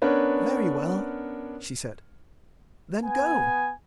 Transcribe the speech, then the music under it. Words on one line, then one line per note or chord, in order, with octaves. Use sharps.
"Very well," she said; "then go!"
B3 C#4 D4 A#4 B4 C#5
B3 G#5